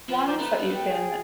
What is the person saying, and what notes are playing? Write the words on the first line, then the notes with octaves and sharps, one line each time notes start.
ones that you can
F3 B3
C5 D5 A#5
A3 B3
G5
G#4